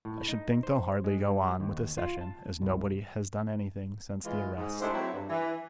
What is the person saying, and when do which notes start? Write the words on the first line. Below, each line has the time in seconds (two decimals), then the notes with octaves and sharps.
I should think they'll hardly go on with the Session, as nobody has done anything since the arrest.
0.05 A2
0.28 D#4
0.63 C5
1.04 G#3
1.22 G3
1.60 D#2
1.98 F4
2.21 A5
2.62 C2
4.25 E3 G#3 F4
4.57 G#2
4.82 G#3 A3 D4 E4 G4 C5
4.94 F#3 C4 E4
5.13 G2
5.29 E3